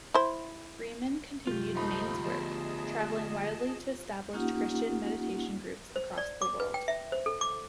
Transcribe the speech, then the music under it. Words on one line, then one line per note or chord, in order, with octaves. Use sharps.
Freeman continued Main's work, travelling widely to establish Christian meditation groups across the world.
E4 C5
C2 F#2 F4 G4
D2 F3 A3 D#4 B5
F3 B3 G#4 D#5 A5
A#3 C#4 D#4 F4 G4 F#5
C5
D5
D6
B4
G5
E5
C5
A4
D6